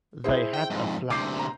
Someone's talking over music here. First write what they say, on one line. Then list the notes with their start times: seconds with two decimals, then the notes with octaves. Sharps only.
They had a flash.
0.24 E4 G#4 C5
0.54 G5
0.70 F2 G#2
1.10 D2 C3 D6 G6 C7
1.39 A#5